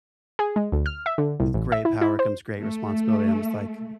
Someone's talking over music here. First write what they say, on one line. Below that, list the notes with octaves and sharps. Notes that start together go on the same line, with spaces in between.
"With great power comes great responsibility." I'm just like,
G#4
G#3
D2
F6
E5
D3
C2
A1
E5
E4
E4
C5
A3